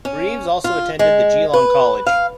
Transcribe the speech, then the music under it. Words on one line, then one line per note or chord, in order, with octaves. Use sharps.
Greeves also attended The Geelong College.
C#4
F4
G#3
B4
F5